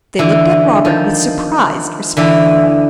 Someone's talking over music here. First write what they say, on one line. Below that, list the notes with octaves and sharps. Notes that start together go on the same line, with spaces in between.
They looked at Robert with surprised respect.
D3 E3
D#3 F3
D3 E3